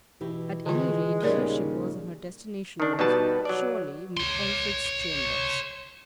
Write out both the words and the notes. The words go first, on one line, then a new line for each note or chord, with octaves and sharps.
At any rate, here she was, and her destination was, surely, Elphick's chambers.
B2 E3 E4 G4
D3 E3 G#3 F4
D#2 A#2 C#3 G3 A#4 C#5 D5
D#3 D4
B2 G3 B3 D#4 B4 A5
F#3 D5
C#5 C6